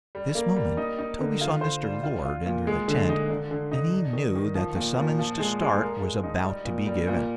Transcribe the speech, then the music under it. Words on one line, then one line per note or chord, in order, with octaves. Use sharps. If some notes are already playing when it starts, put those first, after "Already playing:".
At this moment Toby saw Mr. Lord enter the tent, and he knew that the summons to start was about to be given.
G3
A#3
G3
D#4
D#4
D3
F4
C5
G3
F4
F4
A#2
G#3
D3
D#4
D3
D3
D#4
D4
D#3
D#3
F3
A#2
A#2
F3
G#3
G#3
A#4
G#3
D#4
G3
A#2
G3
A#2